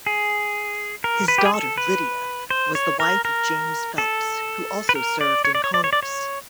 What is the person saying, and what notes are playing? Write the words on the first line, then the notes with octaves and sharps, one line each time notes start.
His daughter Lydia was the wife of James Phelps, who also served in Congress.
G#4
A#4
B4
G4
G#4
A4
B4
C5
C#5
A#4
A#4
A4
B4
A#4
D5
C#5
D5
C#5
D5
C#5
D5
C#5